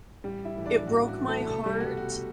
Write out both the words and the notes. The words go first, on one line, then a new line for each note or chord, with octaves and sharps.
it broke my heart
A1 G3 G4
E4 E5
A2 E3
D4 D5
A1 F#4
F#4
A2 E3
A3 A4
C2 A3 A4
G3 G4
B2 G3 F#4
F#4
F#4